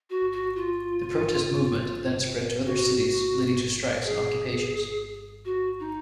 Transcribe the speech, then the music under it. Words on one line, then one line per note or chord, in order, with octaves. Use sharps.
The protest movement then spread to other cities, leading to strikes and occupations.
F#4
F#4
F4
F#4
G#4
F#4
D#4